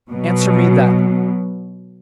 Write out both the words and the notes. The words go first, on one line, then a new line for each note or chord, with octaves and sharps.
Answer me that.
B2 F#3